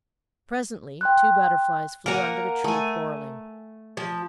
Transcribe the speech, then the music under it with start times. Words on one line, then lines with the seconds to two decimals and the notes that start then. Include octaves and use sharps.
Presently two Butterflies flew under the tree, quarrelling.
1.01 G5 C6 F#6
2.06 A#3 A#4 F#5 G#5 A#5
2.64 A3 G#5
3.97 F3